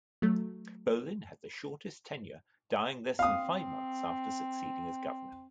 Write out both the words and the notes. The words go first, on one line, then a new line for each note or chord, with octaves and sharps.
Bolin had the shortest tenure, dying less than five months after succeeding as governor.
F#3 A3
C4 F5 D#6